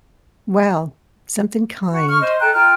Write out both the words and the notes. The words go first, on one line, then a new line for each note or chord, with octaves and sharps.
Well, something kind?
F#4
C#6 F6
C5 D#5
A4 G5 A#5 F#6
F4 G5 F6